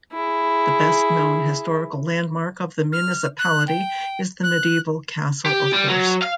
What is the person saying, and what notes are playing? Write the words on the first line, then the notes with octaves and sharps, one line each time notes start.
The best known historical landmark of the municipality is the medieval castle of Horst.
E4 G#4
F6
F#6
G5
F#6
G4
G3
F#3
F5